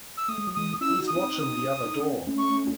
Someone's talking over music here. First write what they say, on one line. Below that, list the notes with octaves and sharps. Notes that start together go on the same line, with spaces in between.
He's watching the other door.
E6
A3 D#6
G#3
F#3
E3 G#3 D#6
C#4 E4 E6
D#4 F#4
D#6
C4 D#4
D#4
C#4
C4
A3 C#4
C#6